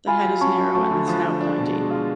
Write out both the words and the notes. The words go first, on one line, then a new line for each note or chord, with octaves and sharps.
The head is narrow and the snout pointy.
F4 G#5 B5
F#3
C#4 A5 C#6
F#3
A3 A5 C#6
D3
F3
D3
D4
B2
G#3
F4